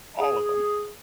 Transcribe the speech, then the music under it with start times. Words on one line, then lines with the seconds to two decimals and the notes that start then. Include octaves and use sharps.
All of 'em.
0.20 G#4